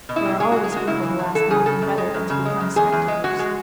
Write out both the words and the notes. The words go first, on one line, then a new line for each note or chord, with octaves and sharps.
There are always people who ask nothing better than to become spectators.
B2
E4
G#3
G#3 G#4
F#4
G#3
G#4
G#3 F#4
C#3 E4
E3
E3
E3 A4
C#3 G#4
C#3 A4
F#2
G#3
F#2
C#3
G#3
F#2
E2 G#4
E2
G#3
G#3 F#4
G#3